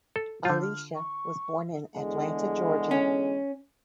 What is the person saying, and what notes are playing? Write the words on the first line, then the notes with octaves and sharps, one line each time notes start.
Alicia was born in Atlanta, Georgia.
A4
D3 F4 G6
F6
C#6
E2 D3 G#3
C#4